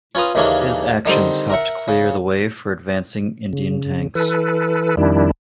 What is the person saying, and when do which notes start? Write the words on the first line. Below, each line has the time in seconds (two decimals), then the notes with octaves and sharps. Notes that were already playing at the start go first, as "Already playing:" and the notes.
His actions helped clear the way for advancing Indian tanks.
0.15 C#4 F4 B4 A#5 D#6
0.35 D#2 C#3 E3 A#3 C#4 D4
1.06 D3 D#3 G3 C4
1.50 A#4 E5 F#5
1.88 C#3
3.53 C#3
4.15 E3 A4 B4
4.97 F2 D#3 G3 D4 E4